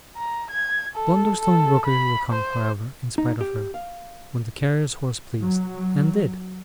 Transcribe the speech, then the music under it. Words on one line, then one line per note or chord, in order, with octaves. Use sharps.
Blunderstone Rookery would come, however, in spite of her, when the carrier's horse pleased--and did.
A#5
G#6
A4
A4
B5
C5
D#4
G4
F5
F#3